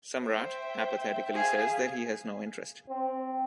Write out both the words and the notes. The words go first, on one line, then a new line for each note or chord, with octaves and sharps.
Samrat apathetically says that he has no interest.
C5 E5 G5
G#4 E5 F5
C4